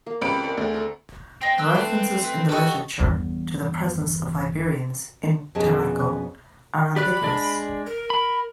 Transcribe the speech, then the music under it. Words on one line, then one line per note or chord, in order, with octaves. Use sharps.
References in the literature to the presence of Iberians in Tarraco are ambiguous.
A#3
C#2 C4 G4 B5 D7
A#4 D5
D2 A3 G#4
A4 A#5
C4 D#5 G5
C4 E6 F#6
A3 D4 B4 A5
B4
F#4 G4 A4 D5 D#5 C#6
G1 E2
F2 B2 C#4 G#4 D#5 A5
G4 D5 B5 F#6
G#3 D4 D5
A#4
B5